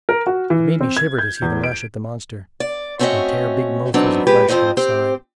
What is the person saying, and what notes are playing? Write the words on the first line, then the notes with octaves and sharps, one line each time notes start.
It made me shiver to see them rush at the monster, and tear big mouthfuls of flesh from its side.
A#4
F#4
E3
C4
G#6
G6
E2
D7
D5
A3 C4 C#4 F#4 D#5 E5
E3 F#3 B3 C4 D4 D#4
F2 G#3 G4 B4
F2 F3 C4 C5 D#5
C4 G4 C5